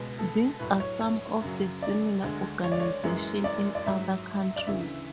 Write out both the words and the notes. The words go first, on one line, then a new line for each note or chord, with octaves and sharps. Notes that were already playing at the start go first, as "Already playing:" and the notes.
These are some of the similar organisations in other countries.
Already playing: C#2 B2 G#3
A4
A2 F#3 B4
C#5
C#5
F#2 C#3 F#3
D5
D2 D3 G#3
C#5
D5
C#5
F#2 E3 G#3
D5
D5
G#2 F#3 E5
D5
D2 C#3 E3 E5